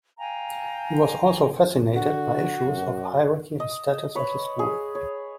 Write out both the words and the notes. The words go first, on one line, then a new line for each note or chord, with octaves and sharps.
He was also fascinated by issues of hierarchy and status at the school.
F5 G5 G#5 A#5
D3 F#4
F#2
D#5
B4 C#5
G#4
C#5